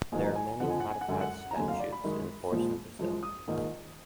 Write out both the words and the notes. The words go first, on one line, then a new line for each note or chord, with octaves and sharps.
There are many codified statutes in force in Brazil.
A#1 G#2 D#3 F#3 G#5
A#5
G#5
F#1 F2 D3 F3 F#5
G#5
F#5
G#5
F#5
F#2 D3 G#3 G#5
F#5
A#5
F1 D#2 D3 F#3 G#5
F5
D5
B5
F#2 D#3 G#3
A#1 A#2 F3 G#3
F#2 F3 G#3
D#6
A#1 G#2 D#3